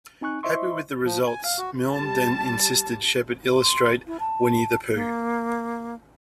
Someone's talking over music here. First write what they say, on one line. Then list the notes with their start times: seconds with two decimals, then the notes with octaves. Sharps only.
Happy with the results, Milne then insisted Shepard illustrate "Winnie-the-Pooh".
0.21 C4 D#4 G#5 C#6 F#6
0.43 E4 C5 D#5 E5 C6 C#6
1.05 F3
1.27 G#5
1.45 F5
1.58 F#4
1.92 G3 A5
3.61 C6
4.07 E4
4.20 A5
4.93 A#3